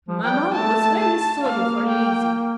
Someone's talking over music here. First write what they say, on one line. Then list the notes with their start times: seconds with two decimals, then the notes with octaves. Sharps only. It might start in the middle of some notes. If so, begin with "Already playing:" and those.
Mamma was very sorry for Lizzie.
0.08 F3
0.23 F3 G5
0.31 G3
0.53 A3 A5
0.98 A5
1.42 A#3 F5
1.88 G5